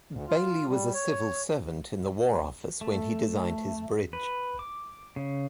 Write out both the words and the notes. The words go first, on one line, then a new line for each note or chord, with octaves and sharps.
Bailey was a civil servant in the War Office when he designed his bridge.
D2
F4
G3
C#5
A3
B4
D6
C#3